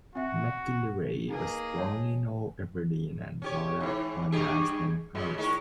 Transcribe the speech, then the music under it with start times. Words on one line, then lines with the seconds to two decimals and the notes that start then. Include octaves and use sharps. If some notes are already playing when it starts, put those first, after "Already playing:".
MacGillivray was born in Old Aberdeen and brought up on the island of Harris.
0.15 C4 F#4 E5
1.30 A#3 D#4 G#4 B4 D#5
1.78 C#5 A5
3.42 C#4 G4 C#5
3.80 G#2 E3
4.32 G2 G4 G#4
5.15 A#2 C#3 G#3
5.38 A2 D#3 G#3